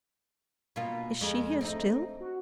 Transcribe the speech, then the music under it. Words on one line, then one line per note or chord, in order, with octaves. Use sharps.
Is she here still?
B2 A#3 F4
F2 G#3
A3 C4 D#4
F#4